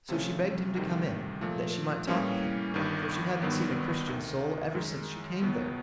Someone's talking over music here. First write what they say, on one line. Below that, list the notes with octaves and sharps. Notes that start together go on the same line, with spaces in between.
So she begged him to come in, that she might talk with him, for she hadn't seen a Christian soul ever since she came there.
C#2 C3 F3 A3 C#4
D2 C3 D#3 G3
A#2 F3 A3
A2 E3 G3 A#3 C#4
G1 G2 D#3
G#1 G2 D#3 F#3 B3
D2 C3 D#3
F#2 D#3 G#3
C#2 B2 F#3 B3